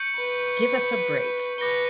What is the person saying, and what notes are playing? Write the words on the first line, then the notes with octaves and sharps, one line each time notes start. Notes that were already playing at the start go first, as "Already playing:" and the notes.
Give us a break.
Already playing: C#6 G6 C#7 F#7
B4
B4 D6 A#6 C#7 G7